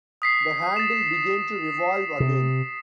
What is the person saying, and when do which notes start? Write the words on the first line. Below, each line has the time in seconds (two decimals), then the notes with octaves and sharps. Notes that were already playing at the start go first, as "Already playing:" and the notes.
The handle began to revolve again.
0.22 D#6 B6 C7
0.76 A6 E7
2.20 C3